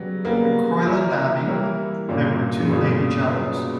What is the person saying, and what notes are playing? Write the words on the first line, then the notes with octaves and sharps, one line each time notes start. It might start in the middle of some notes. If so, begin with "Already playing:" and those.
At Croyland Abbey there were two lady chapels.
Already playing: C#3 F#3 G3 B3
C#3 G3 A#3 B3
E3 A#3 E4 A#4 C#5
E3 G3 A#3 E4 A#4 C#5
G2 A#2 D3 A#3 C#4
C#3
G2 B2 D3 A#3 C#4
C#3 F#3 B3